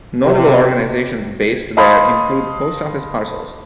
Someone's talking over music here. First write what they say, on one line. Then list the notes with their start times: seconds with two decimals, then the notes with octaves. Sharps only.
Notable organisations based there include Post Office Parcels.
0.22 C3
1.77 D#5 F5 A5 B5 C6 D#6